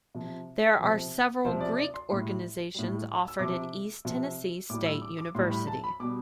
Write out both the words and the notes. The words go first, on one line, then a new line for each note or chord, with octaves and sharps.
There are several Greek organizations offered at East Tennessee State University.
C3 F3
C3 F3
C3 F3 C5
D5
D5
C6
A2 G3 C6
A2 G3
E6
C3 F3 D6
C3 F3
A2 G3 D6
E6
D6
D6
A2 G3 C6
B5
A5
B5
B2 G3 D6